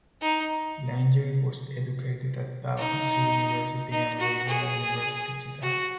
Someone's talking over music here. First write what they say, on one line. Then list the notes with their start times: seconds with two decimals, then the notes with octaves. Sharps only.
Langer was educated at Dalhousie University and Loyola University Chicago.
0.22 D#4
2.78 D#4
3.92 D#4
4.20 F#4
4.49 G#4
5.62 F#4